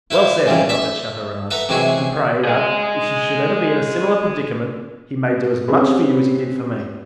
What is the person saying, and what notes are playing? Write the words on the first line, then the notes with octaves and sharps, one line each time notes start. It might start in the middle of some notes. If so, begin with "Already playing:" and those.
"Well said," interrupted Chateau-Renaud; "and pray that, if you should ever be in a similar predicament, he may do as much for you as he did for me."
E4 B4 C5 F5
F#2 E3 F3 G3 G#3
E5 A5 B5
A4 B4 E5 F#5 A#5
C3 E3 F#3 G#3 F#4 G#4
G#4 D#5
C4 C#4 G4 G#4 B4